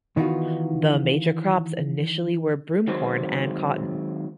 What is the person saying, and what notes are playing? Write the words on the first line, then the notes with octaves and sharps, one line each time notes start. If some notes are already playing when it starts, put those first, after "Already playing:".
The major crops initially were broomcorn and cotton.
D#3 E3 B3 D#4 F4 F#4
D#3 F#3 G#3 C4 C5